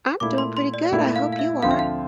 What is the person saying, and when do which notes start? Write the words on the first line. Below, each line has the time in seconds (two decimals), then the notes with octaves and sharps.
I'm doing pretty good, I hope you are.
0.20 A#2 A3 E4 D6
0.38 C6
0.57 C6
0.74 D5
0.92 A#2 A3 E4
1.16 F5
1.33 F5
1.39 E5
1.62 D2 D3 F3 C4 F4 F5
1.71 E5
1.79 F5